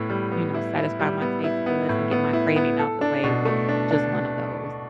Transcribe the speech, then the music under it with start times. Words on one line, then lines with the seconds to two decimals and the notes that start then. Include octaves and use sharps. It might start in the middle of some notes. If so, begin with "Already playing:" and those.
you know, satisfy my taste buds and get my craving out the way with just one of those.
Already playing: A2 B3 E4
0.10 G3
0.32 B3
0.54 E4
0.77 E4
0.99 G3
1.21 B3
1.44 E4
1.66 B3
1.89 A2
2.11 B3
2.33 E4
2.56 B3
2.79 A4
3.01 D4
3.24 B2
3.45 A3
3.69 D4
3.91 D4